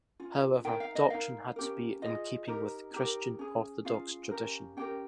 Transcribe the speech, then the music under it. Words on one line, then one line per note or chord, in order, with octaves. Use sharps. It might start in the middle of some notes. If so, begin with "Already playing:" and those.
However, doctrine had to be in keeping with Christian orthodox tradition.
C#4 F4
D#4 A#4 G5
F5
D#5
D#4 A#4 F5
C#4 G4 A#4
F4 G#4 D#5
D#4 G4 A#4
D#4 G4 A#4
C#4 G#4
C#4 F4 G#4 F5
C#4 G4 A#4
C#4 G4 A#4 G5